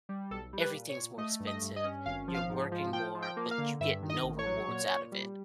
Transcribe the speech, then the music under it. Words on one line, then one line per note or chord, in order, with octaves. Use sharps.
everything's more expensive, you're working more, but you get no rewards out of it
G3
B1 A4
G3
B4
A#2
C#5
A#2
A3 D#5
G2
D#5
G2
D#5
C#4
G#1 F5
F3
F5
G#2
F3
F3 G5
F3
G5
A#3
F5
D3
G2 E5
D#3
D#5
A1
C#5
F#3
A#2
A#2
G3